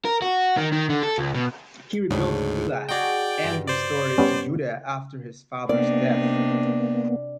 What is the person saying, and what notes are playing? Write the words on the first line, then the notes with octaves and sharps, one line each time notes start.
He rebuilt Elath, and restored it to Judah, after his father's death.
A#4
F#4
D#3
D#3
D3
A4
C#2
B2
D2 G#2 C#3 D4 B5
D#4 F#4 G#4 D5 G5
G2
C5 D5
G3 B3 C#4
C3 A#3 B3 D4 D#4 D5